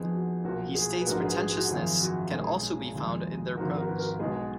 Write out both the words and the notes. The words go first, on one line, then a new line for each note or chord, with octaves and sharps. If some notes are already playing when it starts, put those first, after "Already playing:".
He states pretentiousness can also be found in their prose.
Already playing: F2 F3 B3 D#4 G#4
F#4
B1 A#2 F3 F#4
G#4
B4
A#1 G#2 F3 F#4 A#4
G#4 B4
G#4
F#4
G#1 F#2 F3 G#4
F#4
B1 A#2 G#3 C#4 G#4
D#2 C#3 F3 G#3
G#1 G#2 F3 F#4 A#4
F#4 A#4
B4
F#4 A#4
B1 B2 G#3 B3 D#4 G#4 B4